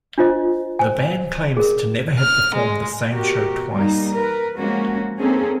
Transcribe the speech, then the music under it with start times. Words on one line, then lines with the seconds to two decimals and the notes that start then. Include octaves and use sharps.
The band claims to never have performed the same show twice.
0.18 D4 F4 C5 D#5
0.79 C5 G#5
1.57 G#4 A#4
2.20 F6
2.54 G#3
3.13 B2 F#4 G4 A#4
3.71 G3 A#3 D#4
4.12 A#4 B4
4.58 F3 G#3 A#3 C#4 F#4
5.20 A#3 C4 C#4 D#4 G#4 A4